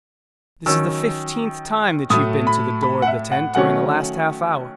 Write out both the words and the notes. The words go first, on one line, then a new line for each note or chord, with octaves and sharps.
This is the fifteenth time that you have been to the door of the tent during the last half hour.
D#3 F#3 C#4 E6
A2 F#3 A3 D#6
B5
B5
F#5
E5
F#5
D#3 F#3 A3 C#4 F#5